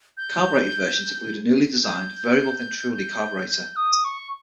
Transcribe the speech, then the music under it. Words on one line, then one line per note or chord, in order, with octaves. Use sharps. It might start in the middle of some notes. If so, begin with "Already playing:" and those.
Carbureted versions include a newly designed, variable-venturi carburetor.
G6
G6
G6
G6
D#6
C#6